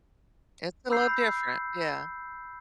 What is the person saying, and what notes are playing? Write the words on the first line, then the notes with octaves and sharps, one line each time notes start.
It's a little different, yeah.
B5 E6 G6 C7